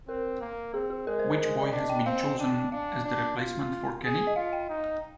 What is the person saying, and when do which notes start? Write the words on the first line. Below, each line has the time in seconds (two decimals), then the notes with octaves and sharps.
Which boy has been chosen as the replacement for Kenny?
0.08 C4 A#4
0.41 A#3
0.74 C4 G#4
0.90 G#4
1.07 G#3 A#4
1.19 C5
1.32 A#4
1.40 G#3
1.62 D5
1.73 D4 D#5
1.89 G5
2.06 C4 F5
2.22 G#5
2.39 D4 G5
2.72 D4 F5
3.05 D4
3.37 F4 F5
4.04 G#4
4.27 D#5
4.36 F4 F5
4.53 G5
4.69 D#4